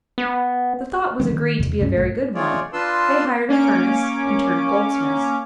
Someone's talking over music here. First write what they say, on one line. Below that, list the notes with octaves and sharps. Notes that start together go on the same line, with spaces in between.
The thought was agreed to be a very good one; they hired a furnace, and turned goldsmiths.
B3
D3 F3 G#3 C4
D#3
E2 C3
C#2 G2 A3 C#4
B1 G#2 A3
G#3 A3 F4 G#4 C#5 D5
D4 F4 B4 A5 C6 E6
A#3 C#4 C#5 D6